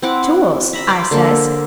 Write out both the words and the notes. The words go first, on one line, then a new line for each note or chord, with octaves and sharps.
"Tools?" I says.
C4 E4 F#5 D6
E5 A#5 B5
C5 B5 D6
D3 A#3 A4